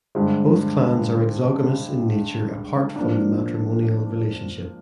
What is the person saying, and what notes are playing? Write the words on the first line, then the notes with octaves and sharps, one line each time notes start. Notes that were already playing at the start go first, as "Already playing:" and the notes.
Both clans are exogamous in nature apart from the matrimonial relationship.
G2 D3 G#3 C4
F3 A#3 D4